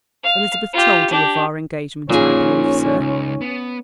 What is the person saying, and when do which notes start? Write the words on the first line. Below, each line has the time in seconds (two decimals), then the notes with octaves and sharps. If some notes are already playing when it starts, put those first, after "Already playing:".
"Elizabeth told you of our engagement, I believe, sir?"
0.23 F5
0.73 F4 G4
1.10 D4 G4
2.10 A#2 F3 A#3 C#4 D#4 G#4
3.00 C#2
3.41 B3